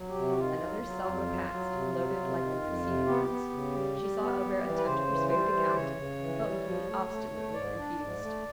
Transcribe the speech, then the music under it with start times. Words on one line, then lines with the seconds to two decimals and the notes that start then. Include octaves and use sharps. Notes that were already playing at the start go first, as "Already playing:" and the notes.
Another salver passed, loaded like the preceding ones; she saw Albert attempt to persuade the count, but he obstinately refused.
Already playing: F#3
0.08 G4
0.15 C3
0.28 F#4
0.38 D#3 F4
0.60 F#3
0.83 F#3
1.04 F2
1.27 F#3
1.50 F#3
1.72 C3
1.95 F#3
2.17 C3
2.39 D#3
2.62 F2
2.84 C3
3.06 B3 G4
3.29 B3
3.50 C#3
3.73 G3
3.96 G3
4.18 B3
4.41 G3
4.62 E3
4.77 B4
4.85 C#3 C5
5.08 E3
5.29 G3 C5
5.52 E3
5.67 D5
5.75 C#3 C#5
5.96 C#3
6.19 E3
6.42 G3
6.63 F3
6.87 A3
7.09 A3
7.31 A3
7.53 G#2 D5
7.77 D4
7.98 G#2
8.20 A3